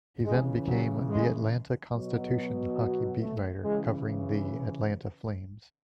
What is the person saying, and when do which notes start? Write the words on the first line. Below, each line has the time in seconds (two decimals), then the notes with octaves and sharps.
He then became "The Atlanta Constitution" hockey beat writer, covering the "Atlanta Flames".
0.24 C#3 E3 G#3
0.67 F#3
1.09 G#3
1.93 B2 F#3
3.20 A3
3.62 C#3 E3 G#3